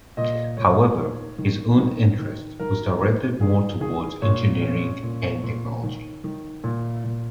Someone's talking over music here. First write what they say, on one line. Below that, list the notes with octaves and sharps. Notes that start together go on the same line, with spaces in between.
However, his own interest was directed more towards engineering and technology.
A#2 D#5
A#2 C#5
D#3
D#3
D#3
D#3
D#3 A#4
D#3
D#3 G#4
D#3 G#4
A#2 C#5
C#4
A#2
A#2
D#3
D#3
A#2
A#2